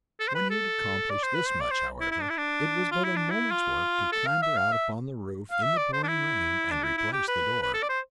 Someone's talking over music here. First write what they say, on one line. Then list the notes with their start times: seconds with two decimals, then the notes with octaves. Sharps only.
When he had accomplished this much, however, it was but a moment's work to clamber out upon the roof in the pouring rain and replace the door.
0.20 A4
0.28 C5
0.35 B4
0.50 A4
1.10 D5
1.23 C5
1.35 B4
1.46 C5
1.60 D5
1.71 C5
2.01 E4
2.11 E4
2.21 D4
2.30 E4
2.37 D4
2.91 F4
3.04 E4
3.16 D4
3.30 E4
3.51 F4
4.12 A4
4.27 F5
4.42 E5
4.57 F5
4.73 E5
5.51 F5
5.63 E5
5.77 D5
5.93 C5
6.03 D4
6.08 E4
6.71 D4
6.83 E4
6.98 E4
7.13 G4
7.28 B4
7.62 B4
7.74 A4
7.83 D5
7.89 C5